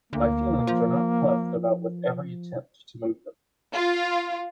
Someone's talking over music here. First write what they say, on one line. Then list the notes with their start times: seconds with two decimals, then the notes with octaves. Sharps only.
My feelings are not puffed about with every attempt to move them.
0.13 D2 A#3
0.67 F3
3.74 F4